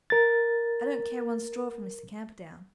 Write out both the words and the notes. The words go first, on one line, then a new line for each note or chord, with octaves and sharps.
"I don't care one straw for Mr. Camperdown."
A#4 A6